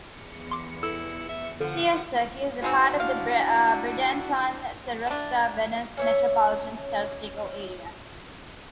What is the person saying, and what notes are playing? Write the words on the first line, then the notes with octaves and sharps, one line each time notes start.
Siesta Key is part of the Bradenton-Sarasota-Venice Metropolitan Statistical Area.
E2 C#7
C6 D6
E4 A4
E5
D3 F3 F#5
E3 G#3 C4 D#4 F#4
D4 E4 F5
A3 D4
C#4 C#5 E5